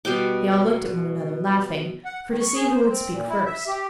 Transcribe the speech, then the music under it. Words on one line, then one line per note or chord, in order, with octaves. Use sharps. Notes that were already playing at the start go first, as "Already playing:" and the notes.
They all looked at one another, laughing, for to see who would speak first.
B2 G3 G5 D6
F#5
D#3
C#6
G#4
C5
C4
A#2
E4
E5
G4